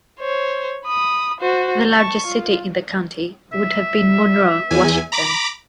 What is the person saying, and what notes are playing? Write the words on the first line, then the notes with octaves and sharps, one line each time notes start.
The largest city in the county would have been Monroe, Washington.
C5 C#5
B5 D#6
F#4 C5
A5 C#6
F4
E5
E2 G#5
A#5 B5 D6